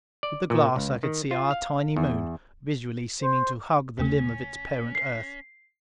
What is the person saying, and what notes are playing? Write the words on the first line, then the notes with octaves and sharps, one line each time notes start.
With the glass I could see our tiny Moon, visually seeming to hug the limb of its parent Earth.
D5
A#2
C#2
D#3
F4
F5
E2
C5
D#2 C#3 A3 C#4
C7